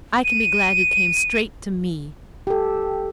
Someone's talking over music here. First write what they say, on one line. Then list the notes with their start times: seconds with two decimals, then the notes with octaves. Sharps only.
I can be glad you came straight to me.
0.24 D#7
2.47 G4 A4